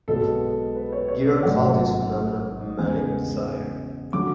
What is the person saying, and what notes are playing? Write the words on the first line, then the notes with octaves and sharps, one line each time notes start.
Girard called this phenomenon mimetic desire.
B1 B2 G#3 B3 A4
B4
C#5
C#5
D5
A1 G#2 F#3 A3 F#5
E2 C#3 G#3 B3 G#5
D3 F#3 D6